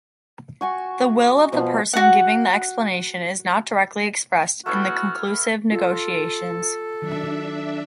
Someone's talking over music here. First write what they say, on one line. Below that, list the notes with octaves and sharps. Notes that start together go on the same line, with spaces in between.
The will of the person giving the explanation is not directly expressed in the conclusive negotiations.
F#4 G#5 C#6
B2 F3
F#4 F#5
A3 B3 E4 F#4 F6
F4 A4
D#3 F#3 D4 E5